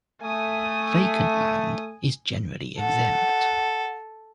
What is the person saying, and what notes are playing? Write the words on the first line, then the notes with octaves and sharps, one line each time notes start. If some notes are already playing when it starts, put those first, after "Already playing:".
Vacant land is generally exempt.
A3 G#5 D#6
A4 F#5